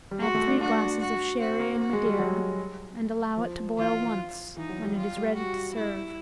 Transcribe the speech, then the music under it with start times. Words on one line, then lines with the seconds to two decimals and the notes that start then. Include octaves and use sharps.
Add three glasses of sherry and madeira and allow it to boil once, when it is ready to serve.
0.11 G3
0.21 G#3 F#4
0.35 A3
0.47 D4
0.61 D4 F#4
1.00 F#4
1.40 C4 F#4
1.60 A#3
1.80 F#4
1.93 G#3
2.05 G3
2.19 F#3
3.37 F3
3.78 E3 F4
4.57 E3 D#4
4.69 F#3
4.83 G3
4.96 G3 F4
5.17 G3
5.36 F#4
5.75 E4